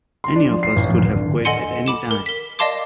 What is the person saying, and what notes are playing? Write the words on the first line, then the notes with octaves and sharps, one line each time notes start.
Any of us could have quit at any time.
C6
D4
F3
C7
A1
F2
D1
D3
A4 D#5 F#5 G#5 C6 C#7
B5 D6 E7
A#4
B6 G7
D5 D#5 F5 A5 C6 D6